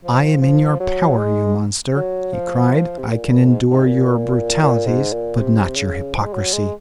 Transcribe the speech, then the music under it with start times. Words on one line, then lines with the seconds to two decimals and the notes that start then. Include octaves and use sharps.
"I am in your power, you monster!" he cried; "I can endure your brutalities, but not your hypocrisy."
0.04 F3
0.42 F3
0.80 F#3
1.18 G#3
1.95 F#3
2.33 F3
2.98 C3
3.10 A#2
3.48 G#2
3.71 G#2
3.86 A#2
4.62 A#2
4.87 G#2
5.13 A#2
5.38 C3
5.76 C#3
6.15 F3
6.24 G#3
6.33 F#3
6.54 G#3